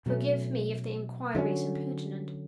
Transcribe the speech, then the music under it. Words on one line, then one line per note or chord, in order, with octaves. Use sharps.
Forgive me if the inquiry is impertinent.
B2 F#3 A3 C#4
D3 F#3 A3 C#4